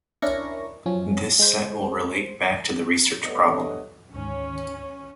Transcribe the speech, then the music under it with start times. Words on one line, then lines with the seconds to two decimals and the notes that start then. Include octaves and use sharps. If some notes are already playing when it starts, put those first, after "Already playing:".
This set will relate back to the research problem.
0.22 C#4 D4 E4 A#4 C#6 A#6
0.86 F#2 F3 C#4
1.39 G#3 C5
3.23 G2 A3 B3 D4 C#5 D#5
4.14 D2 G#2 D#3 C#4